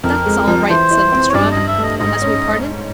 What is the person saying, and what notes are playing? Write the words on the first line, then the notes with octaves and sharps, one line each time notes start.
"That's all right," said Lestrade, as we parted.
F2 A#4
G#3
F3
E3 C5
E4
C4
C#5
G2 D5
D#5
G2
E5
A3 D#5
G#2 D#5
C#4